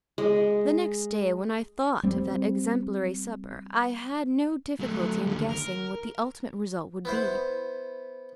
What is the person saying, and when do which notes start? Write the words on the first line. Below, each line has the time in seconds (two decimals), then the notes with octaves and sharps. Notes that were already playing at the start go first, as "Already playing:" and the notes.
The next day, when I thought of that exemplary supper, I had no difficulty in guessing what the ultimate result would be.
0.18 G#3
2.03 G3 C4
4.80 F#3 A3
5.27 D#2 D3
5.49 A#4
7.05 B3 E4 C5